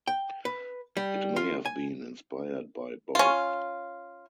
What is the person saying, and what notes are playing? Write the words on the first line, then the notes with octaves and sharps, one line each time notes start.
It may have been inspired by both.
G5
B4
G3
F4
G#5
C#4 F4